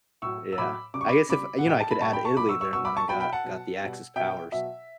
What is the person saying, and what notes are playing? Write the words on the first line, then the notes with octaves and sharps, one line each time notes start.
Yeah, I guess if you know, I could add Italy there and then I got got the Axis powers,
A2 F#3 C#6 E6
E6
A2 F#3 B5 D6
C#3 G3 D6
C#6
B5 D6
C#3 G3 B5 D6
F#5
A2 G3 G5
A5
B5
A2 G3 A5 C#6
G5 B5
A5 C#6
B2 F#3 B5 D6
C#6 E6
C#6 E6
B2 F#3 C#6 E6
B5 D6
A5 C#6
B2 F#3 G5 B5
G5 B5
F#5 A5
B2 F#3
B2 G3
B2 G3 E5 G5
B2 F#3 E5